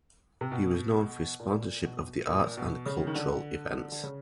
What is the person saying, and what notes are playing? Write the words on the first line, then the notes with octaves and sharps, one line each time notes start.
He was known for his sponsorship of the arts and cultural events.
C3
B2
A#2
B2
A#2
B2
C#3
D#3
D3
D3
C#3